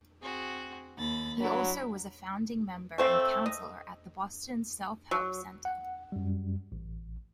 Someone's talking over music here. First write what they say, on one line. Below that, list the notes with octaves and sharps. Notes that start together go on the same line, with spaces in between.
He also was a founding member and counselor at the Boston Self-Help Center.
C4 F#4 G#4
D#2 B5 A6
F#3 D4 E4 B5
A3 C4 F5
D#5
F#3
F#5
F#2 G3
A1